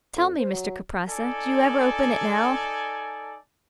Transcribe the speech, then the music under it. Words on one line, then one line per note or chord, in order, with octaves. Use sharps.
Tell me, Mr Kuprasso, do you ever open it now?'
F2
C5
F#3
D#4 A4 D5 G#5